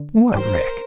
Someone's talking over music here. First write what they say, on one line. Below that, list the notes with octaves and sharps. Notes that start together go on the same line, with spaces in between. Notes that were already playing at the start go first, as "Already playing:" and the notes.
"What wreck?"
Already playing: D3
G#2 E3 G3 A#4 C5